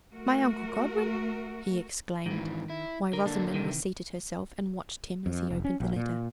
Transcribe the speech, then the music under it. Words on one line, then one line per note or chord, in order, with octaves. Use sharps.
"My uncle Godwin!" he exclaimed, while Rosamond reseated herself, and watched him as he opened the letter.
A3 F#4 A#4
G#2 D#3 E3
E4
D3 A#4
D3 A#3 D4
C3 D#3 E3
F2
F1
C#4
A#1
A#2